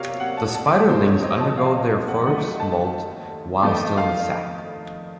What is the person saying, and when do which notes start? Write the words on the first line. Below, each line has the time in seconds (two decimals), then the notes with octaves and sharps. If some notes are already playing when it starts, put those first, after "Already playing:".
The spiderlings undergo their first molt while still in the sac.
Already playing: C3 F#3 A#3 C#5 F5
0.20 F#5
0.37 A5
0.55 A5
0.71 F#5
0.89 F2 C3 F3 C5
1.07 C#5
1.23 D#5
1.40 A5
1.58 F5
1.74 D#5
2.08 F#5
2.26 D#2 D#3 F#3 A3 D#4 F#5
2.60 A5
3.62 F2 D#3 A3 D#4 A5
3.98 F5